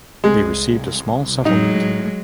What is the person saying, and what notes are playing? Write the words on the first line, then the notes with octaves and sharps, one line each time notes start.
They received a small settlement.
C2 G#3
A2 F#3 G#3 D#4